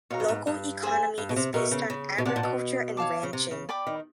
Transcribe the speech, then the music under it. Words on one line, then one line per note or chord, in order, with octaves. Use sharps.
Local economy is based on agriculture and ranching.
B2 C#5 F5 A#5
G2
G#2
G2
G#4 C5 E5 G#5
G2
B2
C3
B2 A#4 C#5 E5
C#3
C#3
B2
C3 D5 F#5 A5
A#2
B2
C#5 F5 A5 D6
C#3
C3
C#3
D5 G5 B5 D6
D#3